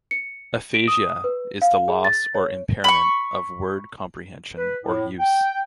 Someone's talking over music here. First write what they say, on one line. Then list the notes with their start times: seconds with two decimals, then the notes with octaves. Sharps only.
Aphasia is the loss or impairment of word comprehension or use.
0.11 C#7
0.74 D7
0.88 D#6
1.24 B4
1.62 F5
1.88 G#4
2.05 A6
2.35 C#5
2.84 B5 C#6
4.58 B4
4.84 A2
5.19 G5